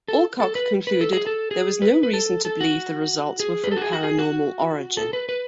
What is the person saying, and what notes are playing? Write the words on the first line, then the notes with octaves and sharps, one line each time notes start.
Alcock concluded there was no reason to believe the results were from paranormal origin.
A4
A4
B4
B4
A4
G#4
A4
G#4
B4
B4
A4
A4
F#4
G#4
B4
A4
F#4
G#4
F#4
G#4
F#4
A4
B4
B4